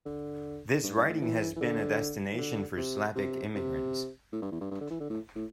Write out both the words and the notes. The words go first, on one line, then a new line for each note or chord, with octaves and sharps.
This riding has been a destination for Slavic immigrants.
D3
G2
G2
A2
E3
E3
D3
E3
D3
C3
C3
C3
A2
G2
E2
G2
G2
D3
E3
D3
A2
A2